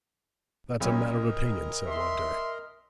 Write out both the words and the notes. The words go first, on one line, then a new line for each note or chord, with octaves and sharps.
'That's a matter of opinion,' said Loveday.
B1 C#4 A#4 D#5 A#5
E5 C6